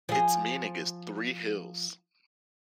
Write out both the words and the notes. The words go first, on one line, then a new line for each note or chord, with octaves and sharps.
Its meaning is "Three Hills".
F3 G#4